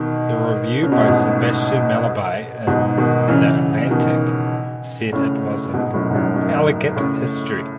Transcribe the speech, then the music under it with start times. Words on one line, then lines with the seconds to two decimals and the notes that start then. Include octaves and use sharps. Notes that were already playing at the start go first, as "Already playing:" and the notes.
The review by Sebastian Mallaby in "The Atlantic" said it was an "elegant history".
Already playing: B2 D#3
0.83 C#3
0.92 B2
1.00 A2
1.08 G#2 B2
2.67 G#2 B2
2.98 B2 D#3
3.28 C#3 E3
3.90 B2 D#3
5.13 A2 C#3
5.73 G#2 B2
5.94 F#2 A2
6.10 G#2
6.14 F#2 A2
6.36 F#2
6.96 A2 C#3